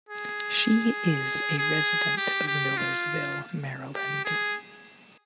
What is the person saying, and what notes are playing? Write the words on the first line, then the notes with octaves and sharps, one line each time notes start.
She is a resident of Millersville, Maryland.
G#4
G#4
G4
G4
F4
G4
G#4